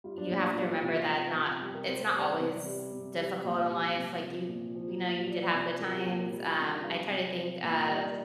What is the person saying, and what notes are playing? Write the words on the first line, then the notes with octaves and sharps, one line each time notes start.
you have to remember that not it's not always difficult in life. Like, you you know, you did have good times. Um, I try to think of
G3 F4
D4
A#2 D4
F4
G3 F4
F4
C3 F4
F4
F3
C3
G3 G4
A#4
C3 C5
C5
G3 D5
C5
D5
C3
G3
C3
G3
A#2
G3
C3
F3
A#2
F3
A#2
F3 D5
C3
F3 A#4
G4
A#2 G4
A#4
G3 G4
F4
C3 D4
F4
G3 F5
C3
F3
A#2
F5
G3 D5